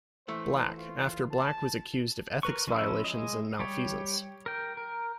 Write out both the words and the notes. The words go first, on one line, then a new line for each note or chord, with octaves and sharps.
Black, after Black was accused of ethics violations and malfeasance.
E3 A3 C5
F4
A5
A#4 B4 C#6
F3 C#4 E4 E6
G#3 D#5
G3 G4 C#5
A#4 G5
A#4